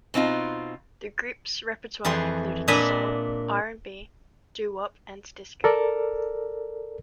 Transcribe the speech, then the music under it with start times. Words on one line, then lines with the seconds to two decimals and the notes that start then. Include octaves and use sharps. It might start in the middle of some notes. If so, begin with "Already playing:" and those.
The group's repertoire included soul, R and B, doo-wop, and disco.
0.14 B2 C4 D#4 F4
2.05 F2 E3 G#4 C6
2.68 A#2 D4 D#5 E5 G#5 B5
5.64 A4 A#4 D5